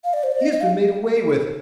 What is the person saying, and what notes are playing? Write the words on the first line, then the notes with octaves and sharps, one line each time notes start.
He has been made away with.
F5
D5
C5
D5
D#5
D#5
F5